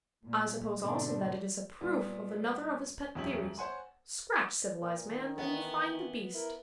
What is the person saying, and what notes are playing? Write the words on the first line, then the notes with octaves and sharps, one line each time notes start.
"I suppose also that it is a proof of another of his pet theories. Scratch civilized man, and you find the beast."
A#2
G#2 B2 D3 C4 D4
A#2 G3 B3
D#1 F2 C#4 G4 E5 F#7
C5 C#5 F#5 G#5 C6
A#2
D#3
E3 B3
E4 A#4